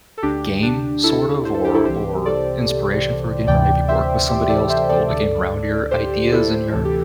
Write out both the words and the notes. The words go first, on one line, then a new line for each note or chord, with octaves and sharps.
game, sort of, or or inspiration for a game, or maybe work with somebody else to build a game around your ideas and your
A4
D2 D3 D4 G4
D4 G4
E4 A4
C5
A4
G4
E4 A4
C2 C3 E3 G4 C5
A4 D5
D2 C3 E3 D5 G5
C5 E5
G4 C5
A4 D5
C5 E5
A4 D5
D2 D3 A4 D5
G4 C5
E4 A4
D2 C3 E3 A4
G4